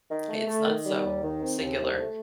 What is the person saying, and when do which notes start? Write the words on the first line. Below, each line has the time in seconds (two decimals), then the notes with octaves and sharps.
It's not so singular.
0.09 D#3
0.28 A3
0.47 A3
0.66 D#3
0.85 G3
1.04 D#2
1.23 D#3
1.42 C4
1.60 D#2
1.79 C2
1.97 A3